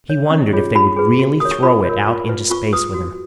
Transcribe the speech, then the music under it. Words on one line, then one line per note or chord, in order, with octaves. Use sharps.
He wondered if they would really throw it out into space with him.
C#5
C#4
F4 G#4 C#5
F4 B5
G#4 B4
F#4
A#4 C#5 D#6
C#6
F4 B5
A#4 C#5
F4
B4
F4 C#6
B4 D#6
F#4